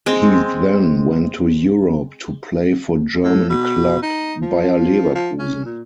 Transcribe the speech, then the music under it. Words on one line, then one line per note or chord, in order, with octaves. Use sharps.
He then went to Europe to play for German club Bayer Leverkusen.
G#3 C4
A2
B2
D#4
F3
F3
C#4
A#2